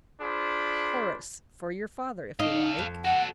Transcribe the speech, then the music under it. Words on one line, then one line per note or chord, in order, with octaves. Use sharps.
"Horace, for your father, if you like."
D4 F4 G#4 C5 B5
D#4 A4 F5
F2
F#4 A4 F#5